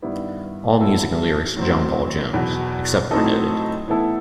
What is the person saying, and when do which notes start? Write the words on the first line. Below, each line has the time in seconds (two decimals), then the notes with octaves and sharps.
All music and lyrics John Paul Jones, except where noted.
0.02 G2 D#3 G3 B3 E4
0.79 F#3 B3 E4 A4
1.56 A2 F#3 C4
2.33 E2 B2 F#3
3.11 A2 F#3 C4 D#4 A4
3.88 A2 E3 B3 E4 A4